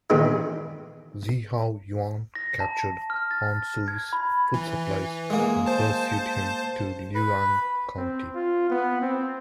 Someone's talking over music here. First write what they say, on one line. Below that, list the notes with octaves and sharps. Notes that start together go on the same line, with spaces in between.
Xiahou Yuan captured Han Sui's food supplies and pursued him to Lueyang County.
G2 A#2 D#3 E3 G#3
A#6
A5
F6
A6
G#6
B5
E3
G#3 A#3
C5 A5
B4
C4
F4
B3
C4